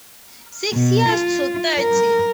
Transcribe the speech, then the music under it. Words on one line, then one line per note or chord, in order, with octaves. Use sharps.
Six years to thirty!
B2
F4
A#4